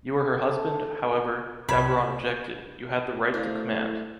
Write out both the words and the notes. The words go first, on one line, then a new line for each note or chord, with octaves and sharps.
You were her husband, however, Daburon objected, you had the right to command.
A4
C2 A2 B5 G#6 E7
A3 D4 E4 C5 F5